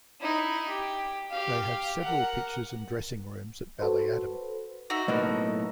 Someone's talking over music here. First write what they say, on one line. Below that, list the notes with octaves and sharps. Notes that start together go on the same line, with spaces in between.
They have several pitches and dressing rooms at Ballyadam.
D#4 E4
G4
G4 F5
A#4 F#5
F#4 A4 B4 C5
D#4 F#4 E5
B1 A2 A#3 B4 D#5